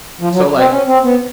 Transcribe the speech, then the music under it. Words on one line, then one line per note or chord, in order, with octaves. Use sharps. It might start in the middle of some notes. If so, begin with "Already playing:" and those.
So like
F3
F#3
C4
C#4
C4
B3